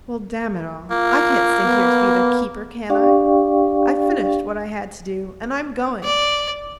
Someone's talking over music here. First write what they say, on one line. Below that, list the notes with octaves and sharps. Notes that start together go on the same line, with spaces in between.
Well, damn it all, I can't stay here to be their keeper, can I? I've finished what I had to do, and I am going.
A#3 F4
B3
D4 G4 D5 F5 G5 C#6
D5